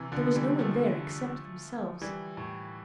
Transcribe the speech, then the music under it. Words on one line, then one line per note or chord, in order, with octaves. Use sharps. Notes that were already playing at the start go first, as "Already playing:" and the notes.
There was no one there except themselves.
Already playing: C3 E3
D3 F3
E3 G3
F3 A3
E3 G3
A2